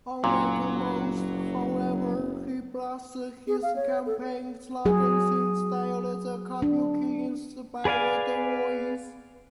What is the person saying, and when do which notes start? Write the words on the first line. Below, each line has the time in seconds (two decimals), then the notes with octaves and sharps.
Unlike most, however, he blasts his campaign slogans in a stylized, kabuki-inspired voice.
0.24 F#1 A#2 F#3
3.48 G#4
3.63 F5
3.76 C#5
4.06 A4
4.85 F#3 G#4
6.62 D4
7.85 G#4 B4 D5 F5 G#5